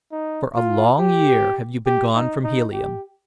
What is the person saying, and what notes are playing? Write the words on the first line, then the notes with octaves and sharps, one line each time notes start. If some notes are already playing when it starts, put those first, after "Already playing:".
For a long year have you been gone from Helium.
D#4
F4
G4
G4
D#4
D#4
G4